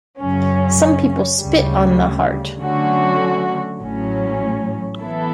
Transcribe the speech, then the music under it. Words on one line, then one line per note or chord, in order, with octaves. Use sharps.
Some people spit on the Heart.
F#2 C#3 F#3 C#4
D2 C#3 G3
D3 F#3 A3 C#4 F#4
A1 A2 F#3 C#4
E3 B3 E4 A4